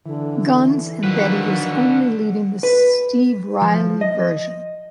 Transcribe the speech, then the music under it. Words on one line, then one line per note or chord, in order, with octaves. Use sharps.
Guns and that he was only leaving the Steve Riley version.
D3 E3
D3 D#3 F3 F#3 B4
B4
F3
D#5